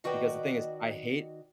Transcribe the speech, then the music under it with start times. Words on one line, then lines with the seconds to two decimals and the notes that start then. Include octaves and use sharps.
because the thing is, I hate
0.04 D#3 F#4 B4 D5 D#5 G5